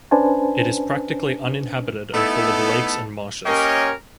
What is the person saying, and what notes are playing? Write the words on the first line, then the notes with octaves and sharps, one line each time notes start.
It is practically uninhabited and full of lakes and marshes.
C#4 D4 B4 C5 G#5 A5
A3 B3 D#4 E4 A4
A#3 C#4 G4 A#4 C#5 D#5